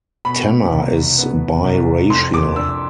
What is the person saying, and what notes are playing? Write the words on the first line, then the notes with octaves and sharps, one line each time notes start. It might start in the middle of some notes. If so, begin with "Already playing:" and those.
Tanner is biracial.
B2 B5
C2
B3
C2
F2 C6
D6
D4 E6